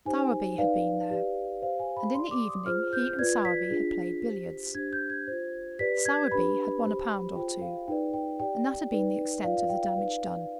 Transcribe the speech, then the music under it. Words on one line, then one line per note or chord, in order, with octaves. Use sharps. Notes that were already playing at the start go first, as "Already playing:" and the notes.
Sowerby had been there, and in the evening he and Sowerby had played billiards. Sowerby had won a pound or two, and that had been the extent of the damage done.
D#4 G4 C5 G#5
G#5
D#4 B4 D5 F5
G4 B4 D5
G4 C5 F5
G#5
B5
G4 D5 C6
D6
D#6
F4 G#4 C5 F6
G6
F4 B4 D5 G#6
B6
D4 F4 G#4
G4 C5
D4 G4 C5 G#6
G6
G#6
F4 C5
G4 B4 D5 B6
G#6
D4 G4 B4 B5
G4 C5
F4 G#4 C5 G5
F5
D#4 G#4 B4 D5 G5
G5
G4 D5 G5
D#4 B4 D5
F4 B4 D5 F5
F5
G5
F5
D#4 B4 D5